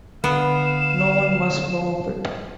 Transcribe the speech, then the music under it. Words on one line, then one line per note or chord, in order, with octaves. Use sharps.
No one must know of it.
D3 B3 F5 E7